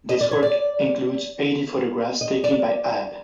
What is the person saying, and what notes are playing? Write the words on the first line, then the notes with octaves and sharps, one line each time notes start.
This work includes eighty photographs taken by Abbe.
D#5
D5
C#5
D5
D#5
D5